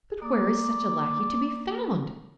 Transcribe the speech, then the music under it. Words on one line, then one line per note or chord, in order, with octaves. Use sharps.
"But where is such a lackey to be found?"
A#3 D5 D#6